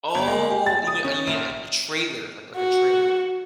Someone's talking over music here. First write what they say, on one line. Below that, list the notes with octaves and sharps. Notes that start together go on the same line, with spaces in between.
Oh, you mean, uh, you mean a a trailer? Like like a trailer.
G1
A#3
G4
A6
D#6
C#4
A#1
F#4